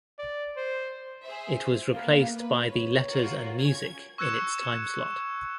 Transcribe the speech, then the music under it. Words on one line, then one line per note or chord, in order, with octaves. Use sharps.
It was replaced by the "Letters and Music" in its timeslot.
D5
C5
G#4 C5 E5
A#3 B3 F5
A#3 B4
C#5
F4 F#4 A#4
C#4 G#6
C#6 E6 F#6 G#6 C#7 E7